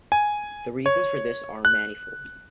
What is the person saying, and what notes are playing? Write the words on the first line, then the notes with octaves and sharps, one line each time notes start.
The reasons for this are manifold.
G#5
C#5
F#6